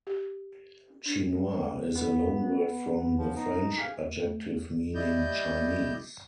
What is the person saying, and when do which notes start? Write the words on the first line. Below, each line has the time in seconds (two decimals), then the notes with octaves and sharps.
"Chinois" is a loanword from the French adjective meaning Chinese.
0.07 G4
1.06 D4
1.96 B3
3.18 F3
3.36 D#4
3.78 G4 G#4 F5
4.25 A3
4.95 G3 E4 D5 D#5 G6